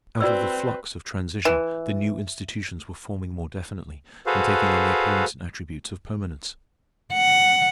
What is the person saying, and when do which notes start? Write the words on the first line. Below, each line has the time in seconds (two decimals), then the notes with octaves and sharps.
Out of the flux of transition the new institutions were forming more definitely and taking on the appearance and attributes of permanence.
0.21 C4 F#4 B4 D5 E6
1.45 E3
4.26 F#4 G#4 A4 B4 C5 F5
7.13 F#5